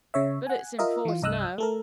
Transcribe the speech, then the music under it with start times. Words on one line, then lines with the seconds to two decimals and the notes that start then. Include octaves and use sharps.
But it's in force now.
0.14 C#3 C#5 E5
0.47 F#5 G#5
0.79 F4 A#4 D#5 E5
1.05 E3 F4
1.22 C2 G2 D#5 D#6 E6 F#6
1.58 A3 A4 A#4